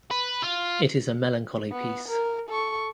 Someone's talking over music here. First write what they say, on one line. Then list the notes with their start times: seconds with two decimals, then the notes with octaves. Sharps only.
It is a melancholy piece.
0.11 B4
0.42 F4
1.71 B3
2.08 A#4
2.49 A4 C#6